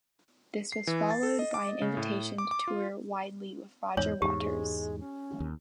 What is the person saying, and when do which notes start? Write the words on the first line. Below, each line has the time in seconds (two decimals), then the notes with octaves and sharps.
This was followed by an invitation to tour widely with Roger Waters.
0.72 C7
0.87 E3
1.11 A6
1.23 A4
1.39 D#5
1.54 D6
1.69 D#5
1.82 C#3
1.97 A2
2.38 D6
2.51 D6
2.68 F4
3.97 E2 G#2 C#5
4.22 E2 G#2 G4
4.37 G#3
4.99 C#4
5.40 D#2